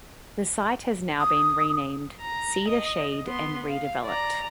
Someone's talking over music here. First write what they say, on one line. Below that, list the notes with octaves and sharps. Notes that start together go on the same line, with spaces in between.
The site has now been renamed Cedar Shade and redeveloped.
D#6
A#5
D#5
B3 C6
F5
D5 A#5